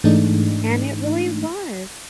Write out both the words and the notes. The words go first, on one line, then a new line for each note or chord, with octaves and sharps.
and it really was.
G#2 E3 G#3 A3 D4 D#4